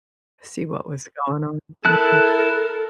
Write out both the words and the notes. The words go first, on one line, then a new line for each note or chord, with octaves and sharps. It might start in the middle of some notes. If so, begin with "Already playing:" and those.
See what was going on. Mhm.
E4 A4 A#4 A5 F#6